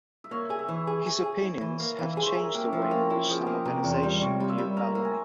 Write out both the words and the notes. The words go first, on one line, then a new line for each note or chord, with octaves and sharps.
His opinions have changed the way in which some organisations view Bellamy.
E5
A#3 C#5
G#4
E5
E3
G#4
G#4
G#4
E4
E3
A#3
E3 F5
G#4 E5
C5 C#5
G#4 A#4
A#3 G4
C#4
F3 E4
F4
A#3
E4 F4
F3 G#4
G4
A#3
C3 A#4
E2
C5
G3
C3 C#5
G3 F5
E5
G3
A#3 A#5
A#3
G#5